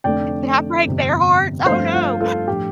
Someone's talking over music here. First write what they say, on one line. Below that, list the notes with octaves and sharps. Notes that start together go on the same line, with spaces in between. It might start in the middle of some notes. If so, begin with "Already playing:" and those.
"Did I break their hearts? Oh, no."
F1 F2 D3 A3 D5 G5
G1 F2 C3 G3
G2 F3 A3 C4 C5 F5
F4
F4 A4
A2 F3 D4 G4